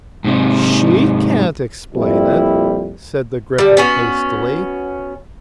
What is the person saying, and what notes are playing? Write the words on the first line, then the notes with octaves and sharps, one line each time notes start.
'She can't explain it,' said the Gryphon hastily.
G#2 C3
F2 A#2 G3 E4
D3 G3
B3 C#4 F#4